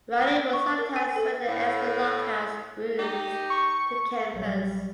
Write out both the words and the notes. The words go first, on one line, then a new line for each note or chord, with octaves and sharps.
Riley would sometimes rent the extra lock house rooms to campers.
C#6
A#4
G#5
A4
A2
D#4 G4
C#6
A#1 F#3 G3 C#5